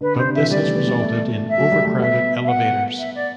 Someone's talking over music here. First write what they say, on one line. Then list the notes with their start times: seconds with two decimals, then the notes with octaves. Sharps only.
But this has resulted in overcrowded elevators.
0.01 D3 B4
0.16 C3 C5
0.25 D3
0.34 E3 E5
0.50 G3 D5
0.63 A3
0.75 B3
0.88 G3
1.01 A3
1.49 E5
1.58 F#3
1.71 G3
1.85 A3
1.99 B3 E5
2.44 E5
2.48 F#5
2.98 E5
3.15 D5